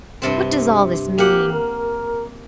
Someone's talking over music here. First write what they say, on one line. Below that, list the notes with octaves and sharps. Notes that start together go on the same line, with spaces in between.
"What does all this mean?"
G2 C3 C4
A#3 G4 F#5
A#4